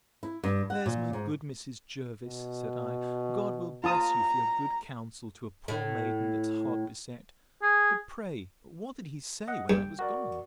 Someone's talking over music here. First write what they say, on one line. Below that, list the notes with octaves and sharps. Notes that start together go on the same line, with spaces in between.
There's my good Mrs. Jervis! said I; God will bless you for your good counsel to a poor maiden, that is hard beset. But pray what did he say, when I was gone?
E4
G2
F#5
A#2
G#2
B2
F4 A5 A#5 D#6
A2
G#4
D#5 F#5
G2 G5
F#4 A#4 D5